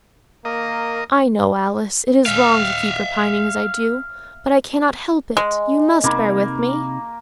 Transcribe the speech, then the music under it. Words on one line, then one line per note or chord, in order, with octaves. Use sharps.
'I know, Alice, it is wrong to keep repining as I do, but I cannot help it: you must bear with me.'
A#3 A#4 D#5
E5 F5
G#3
C3 A#3 D#4 B5